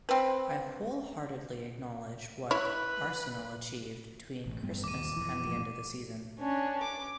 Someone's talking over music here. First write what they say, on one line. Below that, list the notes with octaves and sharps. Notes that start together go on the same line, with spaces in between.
I wholeheartedly acknowledge what Arsenal achieved between Christmas and the end of the season.
C4 B4
E4 B4 C#5
A1
G2 G3 B3
D#2 A#2 D6 D#7
F2 E3
F#1 A2 F3
C#4 D4
D6